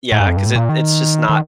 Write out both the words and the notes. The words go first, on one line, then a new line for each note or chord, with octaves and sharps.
Yeah, 'cause it it's just not
A2
G2
F2
G2
A2
A#2
D#3
D#3